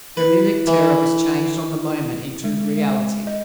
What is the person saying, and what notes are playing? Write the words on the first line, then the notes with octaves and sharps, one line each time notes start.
Her mimic terror was changed on the moment into reality.
E4 B4
E3
G#3
G#3
E5
D#5